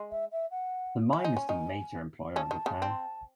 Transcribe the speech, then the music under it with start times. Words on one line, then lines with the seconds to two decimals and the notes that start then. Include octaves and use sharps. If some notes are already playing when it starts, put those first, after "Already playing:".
The mine is the major employer of the town.
Already playing: G#3
0.10 E5
0.32 E5
0.51 F#5
1.13 E4 G#5
1.24 D#4
1.37 C#4
1.49 D#3 D#4
2.36 C#3 C#4 A5
2.51 D#3 D#4
2.66 C#3 C#4
2.82 C4